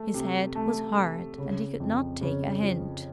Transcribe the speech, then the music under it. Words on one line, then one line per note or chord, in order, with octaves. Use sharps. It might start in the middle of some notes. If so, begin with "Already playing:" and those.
His head was hard and he could not take a hint.
Already playing: A3
C3
A3
C3
C#3
F2
C#3
F3